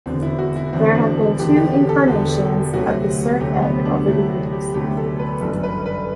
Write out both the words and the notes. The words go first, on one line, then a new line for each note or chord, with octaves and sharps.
There have been two incarnations of the Cert Ed over the years.
E1 E2 D3 C4
E4
F#4
E4
E1 E2 D3 C4
D4
A4
E1 E2 D3 G4
G4
A4
E1 E2 D3
D2 C3 F#3 A3 F#4
D2 C3 F#3 A3 G4
B3
D4
D2 C3 F#3 A3 E4
F#4
G4
D2 C3 F#3 A3 G4
A4
B4
G1 F#2 E3 A4
B4
B4